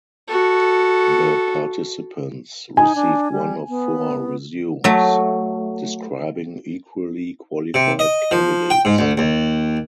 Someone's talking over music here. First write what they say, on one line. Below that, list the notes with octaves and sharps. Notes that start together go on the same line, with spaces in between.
The participants received one of four resumes describing equally qualified candidates.
F#4 A4
D#4 G#5
D4
G3
B3
F#3 A3
C3
D#5
F3
G5
G#2
D2
D#2